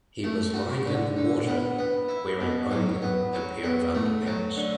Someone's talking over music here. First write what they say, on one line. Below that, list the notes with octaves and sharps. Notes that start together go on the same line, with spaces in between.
He was lying in water, wearing only a pair of underpants.
A3
F#4
D3
D3
B3
B3
E4
B2
F#3
B3
F#3
B3
A3
F#3
D3